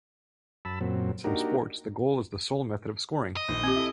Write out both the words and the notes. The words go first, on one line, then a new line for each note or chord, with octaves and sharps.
In some sports, the goal is the sole method of scoring.
F#2 A5 B5 E6
F#2 A#2 F#3 C4
A#3 D4 D#4 F#4 G4 A#4
D#5
A#1 D#3
C4 G4
E4 A4